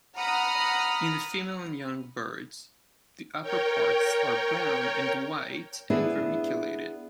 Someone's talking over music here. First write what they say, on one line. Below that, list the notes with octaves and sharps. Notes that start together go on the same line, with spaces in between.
In the female and young birds, the upperparts are brown and white and vermiculated.
F#5 A#5 B5 D#6 F6
A#4 C#5 G5
B3 D4 E4 G#4